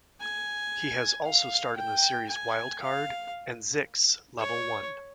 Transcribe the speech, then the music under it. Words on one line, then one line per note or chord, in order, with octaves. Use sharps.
He has also starred in the series "Wild Card" and "Zixx: Level One".
G#5
F5
G5
G#5
F5
C#5